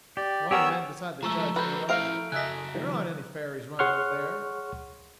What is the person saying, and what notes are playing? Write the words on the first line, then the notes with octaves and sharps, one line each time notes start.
One of the men beside the Judge interrupted: "There aren't any ferries running up there."
G4 D5
B3 G4 G#4 A#4 C#5 E6
G#5
F3 G#3 A3 A4 A#5 C#6 E6
F#4 A4 B4 C5 F6 G6
A3 E4 A#4 F5 A#5 D7
C#3 F#4 D#5 E5 G#5 F#6 B6
D#3 F3 G3
G#4 C#5 F#5 C6 C#6 F6